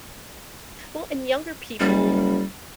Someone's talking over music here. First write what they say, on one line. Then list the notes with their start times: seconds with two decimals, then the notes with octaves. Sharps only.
Well, and younger people,
1.80 F#1 G3